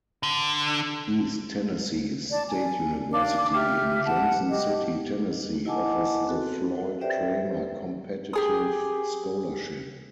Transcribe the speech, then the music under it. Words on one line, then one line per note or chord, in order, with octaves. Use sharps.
East Tennessee State University, in Johnson City, Tennessee, offers the Floyd Cramer Competitive Scholarship.
D3
D5 A5
G#5
D4 F5
G4 E5 F6
F#5 A5
G4 D#5
E4 D#5 F#5 G#5 A5 D6
C4 F#4 A4
G4 B4 C5 D5 E5 G5
G4 G#4 D#6